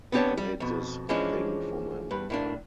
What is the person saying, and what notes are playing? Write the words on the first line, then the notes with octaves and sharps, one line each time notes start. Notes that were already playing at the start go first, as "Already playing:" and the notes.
I made this thing for my mother.
B3 C4 D4 G4 C#5 A5
G3
F2 B2
E3 F3 G#3 C#4 D4
G2 B4
A2 A#3 D4